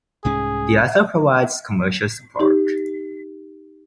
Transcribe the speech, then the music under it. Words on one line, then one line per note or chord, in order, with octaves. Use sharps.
The author provides commercial support.
C2 G#2 C#4 G#4
D#4 G4